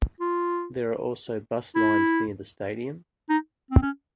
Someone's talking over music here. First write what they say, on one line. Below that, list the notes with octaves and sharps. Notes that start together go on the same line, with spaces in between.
There are also bus lines near the stadium.
F4
E4
D#4
C4
C#4